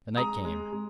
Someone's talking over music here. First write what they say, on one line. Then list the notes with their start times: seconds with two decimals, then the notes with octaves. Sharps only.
The night came.
0.17 G#3 A#5 D#6
0.45 G#3
0.72 G#3